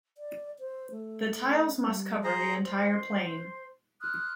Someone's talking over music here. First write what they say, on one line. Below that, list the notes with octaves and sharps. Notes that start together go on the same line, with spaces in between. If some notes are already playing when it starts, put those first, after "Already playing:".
The tiles must cover the entire plane.
D5
C5
A3
G3
G#4 C5 A#5
C5 C6
C6 D#6 F6 F#6